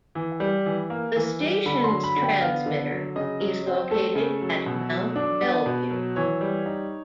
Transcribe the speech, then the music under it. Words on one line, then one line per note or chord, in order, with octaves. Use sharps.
The station's transmitter is located at Mount Bellevue.
E3
G3
E3
A#3
E3
G3
D3 B5
C6
F#3
B5
D3
G5
B3 F5
D3
F#3
C#3 D#5
F#3
C4
A3 A4
C#3
F#3
B2
F#3
D4
B3
B2
F#3
E3 C#5
G3
D#4